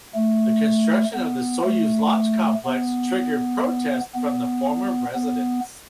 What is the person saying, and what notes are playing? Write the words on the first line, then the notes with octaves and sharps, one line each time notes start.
The construction of the Soyuz Launch Complex triggered protests from the former residents.
A3
B3
A3
B3
B3
B3